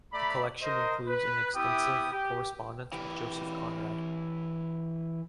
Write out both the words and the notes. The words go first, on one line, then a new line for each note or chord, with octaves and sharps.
The collection includes an extensive correspondence with Joseph Conrad.
A3 D5 A#5 B5
A#4 C5 D#5
B4
B3 E4 G4 E5 G5 D#6
G4
E3 G4